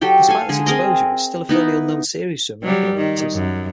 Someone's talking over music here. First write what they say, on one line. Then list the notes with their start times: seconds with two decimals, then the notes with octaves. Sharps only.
Despite this exposure, it is still a fairly unknown series to American audiences.
0.01 F#3 G4 A4 G5
0.28 A4 F5 G#5
0.49 D3 G#3 G#4
0.66 C4 G#4 A#4 D#5
1.49 B3 D#4 E4
2.62 F#3 G3
2.96 D#3
3.34 F#2